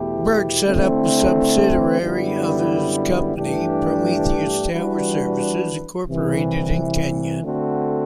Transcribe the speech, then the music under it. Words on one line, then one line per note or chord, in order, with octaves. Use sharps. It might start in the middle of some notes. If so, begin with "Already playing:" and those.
Berg set up a subsidiary of his company, Prometheus Tower Services, Incorporated in Kenya.
Already playing: E2 B2 A3 E4 G4
D3 A3 C4 E4
F#2 D3 G3 B3 E4
G2 E3 A3 D4 G4
E3 G3 D4 F#4 B4
C2 C3 E3
D3 A3 C4 F#4 A4